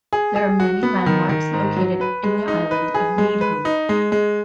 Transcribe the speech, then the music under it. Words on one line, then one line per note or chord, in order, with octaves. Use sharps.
There are many landmarks located in the island of Meedhoo.
G#4
G#4
F#4
B3
D#3
D#3
G#2
F#3
B4
G#3
D#4
B4
G#4
G#3
B4
D#4
G#3
G#3